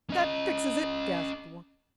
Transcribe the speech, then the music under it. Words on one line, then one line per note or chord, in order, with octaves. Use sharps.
"That fixes it!" gasped one.
C#4 D#5